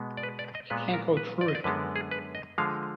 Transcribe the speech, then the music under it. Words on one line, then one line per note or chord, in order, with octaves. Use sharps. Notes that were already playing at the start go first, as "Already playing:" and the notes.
You can't go t'rough it.
Already playing: B2 G#3 B3
D5
B4
D5
D#5
A#2 G#3 B3 B4
A#4
B4
D5
D#5
D5
F#2 D3 G#3 B3 B4
G#4
B4
D#5
D3 F3 G#3 F5